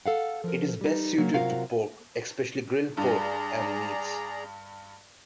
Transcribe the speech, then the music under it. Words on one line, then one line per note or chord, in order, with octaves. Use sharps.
It is best suited to pork, especially grilled pork, and meats.
A4 F5 F#5
F3 A#4
G3 D#4
C#3 F#3 A#3
C3 F#3 F4 F#4 A#4 F5
G2 G#4 D5 A#5